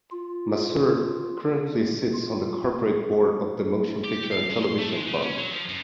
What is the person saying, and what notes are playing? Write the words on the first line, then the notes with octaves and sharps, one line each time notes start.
Masur currently sits on the Corporate Board of the Motion Picture and Television Fund.
F4
F4
G4
F5
G#3
C6
A3
G#3
C#3
C#4
F#3
F3
F#2